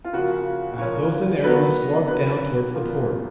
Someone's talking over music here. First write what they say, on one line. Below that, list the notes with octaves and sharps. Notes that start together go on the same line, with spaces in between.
Athos and Aramis walked down toward the port.
F4
C#3 F3 A#3 F#4
C#3 F3 A#3 C#5
D#3 F#3 B3 B4
D#3 F#3 B3 B4
A#2 F3 B3